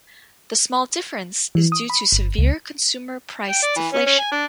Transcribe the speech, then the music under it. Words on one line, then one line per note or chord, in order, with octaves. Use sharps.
The small difference is due to severe consumer price deflation.
E3
D#6
B5
G1
C#2
G5
D5
E3
C#4
C#4
G#5
D4